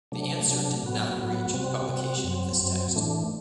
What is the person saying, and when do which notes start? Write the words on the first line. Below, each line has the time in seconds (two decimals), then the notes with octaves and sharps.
The answer did not reach the publication of this text.
0.12 C3 F#3 A3 D4
0.48 C3 F#3 A3 D4
0.83 A2 F#3 B3 F#4
1.18 A2 F#3 B3 F#4
1.54 C3 G3 C4 F#4
1.89 C3 G3 C4 F#4
2.24 F#2 F#3 C4
2.59 F#2 F#3 C4
2.95 A2 E3 A3 D4